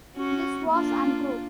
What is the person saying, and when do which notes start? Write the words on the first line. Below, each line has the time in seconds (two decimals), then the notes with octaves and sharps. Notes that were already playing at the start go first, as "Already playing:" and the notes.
This was untrue.
0.16 C#4 F#4
0.70 A#3 D4 F4